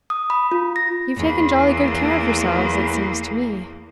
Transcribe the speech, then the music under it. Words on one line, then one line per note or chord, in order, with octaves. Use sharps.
'You've taken jolly good care of yourselves, it seems to me.'
D#6
B5
F4
A#6
E2 A#3